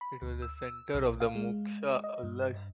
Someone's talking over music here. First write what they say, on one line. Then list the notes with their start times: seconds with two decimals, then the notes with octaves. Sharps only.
It was a center of Mukhsha Ulus.
0.01 B5
0.22 D2
0.42 E6
0.94 B1
1.20 F5
1.35 G#3
2.04 D#5
2.23 G2